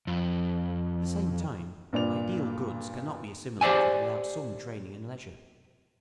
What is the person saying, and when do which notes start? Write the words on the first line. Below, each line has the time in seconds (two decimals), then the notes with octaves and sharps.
At the same time ideal goods cannot be assimilated without some training and leisure.
0.07 F2
1.93 G2 A#2 D5 F7
3.61 G4 C5 D5 E5 G#5